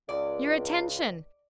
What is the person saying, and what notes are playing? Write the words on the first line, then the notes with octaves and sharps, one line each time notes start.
Your attention!
C#2 D5